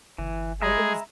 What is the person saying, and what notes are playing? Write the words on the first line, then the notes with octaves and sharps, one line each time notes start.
Like, it was
G1 E3
G#3 G#4 E5 A#5 B5